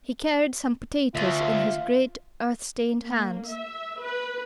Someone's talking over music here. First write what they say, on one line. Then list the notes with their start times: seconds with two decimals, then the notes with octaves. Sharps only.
He carried some potatoes in his great earth-stained hands.
1.15 D2 F4 E5
3.00 A#3
3.48 E5
4.01 B4